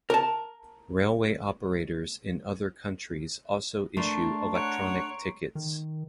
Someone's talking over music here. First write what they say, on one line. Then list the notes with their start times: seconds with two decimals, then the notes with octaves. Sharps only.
Railway operators in other countries also issue electronic tickets.
0.10 A#4 A5
3.97 A3 D4 A#4 C6 C#6 C7
4.54 C#5 F#5 A#5 D7
5.55 D#3